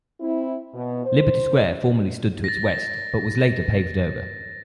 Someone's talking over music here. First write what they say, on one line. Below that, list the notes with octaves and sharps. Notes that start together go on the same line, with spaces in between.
Liberty Square formerly stood to its west but was later paved over.
C4 E4
B2
C5
A6 A#6